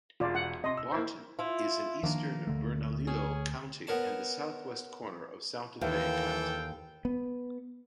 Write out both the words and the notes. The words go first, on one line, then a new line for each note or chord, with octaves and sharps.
Barton is in eastern Bernalillo County and the southwest corner of Santa Fe County.
E1 F4 D5
F#5
C3 D#5 C6
E6
A#3 E4 C5
E4 F4
D#3 F3 A#3 D4
D2 D3 A3
C#4 G#4
B3 A#4 C#5 A5
D#2 E3 A4 F5 G5
B3